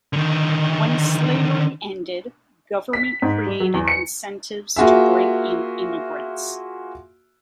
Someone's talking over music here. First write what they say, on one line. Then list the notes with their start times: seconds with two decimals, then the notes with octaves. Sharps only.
When slavery ended, government created incentives to bring in immigrants.
0.13 D3 D#3
2.93 B6
3.22 G#2
3.46 G3
3.60 F#3
3.74 E2
3.88 C#7
4.76 A#3 F4 F#4 G#4 E5